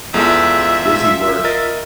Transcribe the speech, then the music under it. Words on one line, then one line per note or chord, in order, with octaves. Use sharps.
busy work
E2 G#3 F4 A4 E5
A#4 D#5 A6